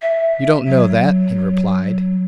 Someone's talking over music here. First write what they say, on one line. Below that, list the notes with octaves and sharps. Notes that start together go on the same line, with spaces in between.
"You don't know that," he replied.
E5
F#3